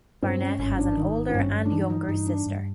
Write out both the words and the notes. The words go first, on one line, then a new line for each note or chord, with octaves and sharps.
Barnet has an older and younger sister.
G2 C4
C#4
G#1 C#4
C#4
D4
D#3 D#4
C4
G2 C#4
D4
E3 D#4
D#4
G2 D#4
D4
G2